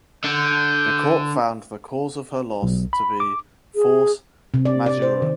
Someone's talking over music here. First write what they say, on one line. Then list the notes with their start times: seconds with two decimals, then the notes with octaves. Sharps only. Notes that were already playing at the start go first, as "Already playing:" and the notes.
The court found the cause of her loss to be "force majeure".
0.24 D3 G6
2.63 B1
2.93 B5
3.20 D6
3.75 G#4
4.54 C3
4.65 D5
4.86 D5
5.02 C5
5.22 D#3